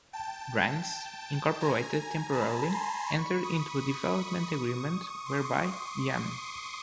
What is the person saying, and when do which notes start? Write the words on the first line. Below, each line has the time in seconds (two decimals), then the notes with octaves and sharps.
Brands, Incorporated temporarily entered into a development agreement whereby Yum!
0.13 G5 A5
1.60 G#5 A#5
2.33 A5 B5
2.70 A#5 C6
3.07 B5 C#6
3.43 C#6 D#6
5.26 C6 D6